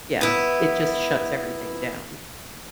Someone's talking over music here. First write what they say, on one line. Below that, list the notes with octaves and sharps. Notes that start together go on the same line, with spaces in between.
yeah. It just shuts everything down.
B3 E4